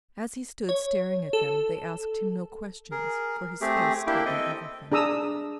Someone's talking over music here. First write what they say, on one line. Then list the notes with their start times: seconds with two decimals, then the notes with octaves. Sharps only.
As he stood staring at them, they asked him no question, for his face told them everything.
0.69 C#5
1.33 A4
2.91 G#4 A#4
3.61 A3 C4 G4 G#4
4.07 A#3 D4 E4 G4 G5
4.26 C4 A4 D#5 G5
4.92 D4 G#4 A#5 D#6 E6